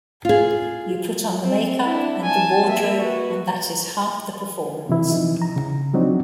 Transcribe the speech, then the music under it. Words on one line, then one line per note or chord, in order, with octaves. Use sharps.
You put on the makeup and the wardrobe, and that is half the performance.
F4 G#4
C4
D4 E4
G#5 A5
A#3 E5
F#4 B4
C3 E3 E4
C3 E3 F3 D#4
A#5
C#3
F3 F#3 C4 D4 D#4 F#4